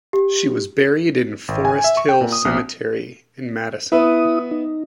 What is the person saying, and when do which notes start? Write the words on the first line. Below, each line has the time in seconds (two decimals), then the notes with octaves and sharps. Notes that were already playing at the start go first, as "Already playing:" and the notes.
She was buried in Forest Hill Cemetery in Madison.
0.13 G4
1.48 G#1
1.65 G#5
1.84 E5
1.97 C#6
2.09 G5
2.21 A#2
2.32 D#6
2.45 A#1
3.92 B3 E4 B4 E5 D#6
4.51 D#4